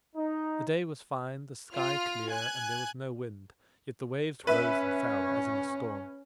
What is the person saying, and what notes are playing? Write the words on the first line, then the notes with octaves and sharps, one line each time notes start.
The day was fine, the sky clear, and there was no wind, yet the waves rose and fell as in a storm.
D#4
F4 F6
G#5 F#6 G#6
C#4 B4 E5